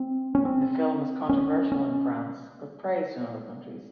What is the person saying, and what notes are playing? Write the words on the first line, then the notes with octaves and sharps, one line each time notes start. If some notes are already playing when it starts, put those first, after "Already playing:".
The film was controversial in France but praised in other countries.
Already playing: C4
C#4
C4
C#4
C#4